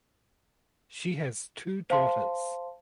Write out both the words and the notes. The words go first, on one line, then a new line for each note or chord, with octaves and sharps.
She has two daughters.
C5 F5 A5 C6